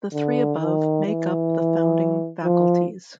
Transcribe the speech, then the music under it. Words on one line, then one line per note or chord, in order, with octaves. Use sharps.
The three above make up the founding faculties.
D3
D#3
E3
F3